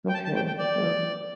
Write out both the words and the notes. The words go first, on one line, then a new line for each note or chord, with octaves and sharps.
Okay, well
G5
A5
A5
G5
G5
D5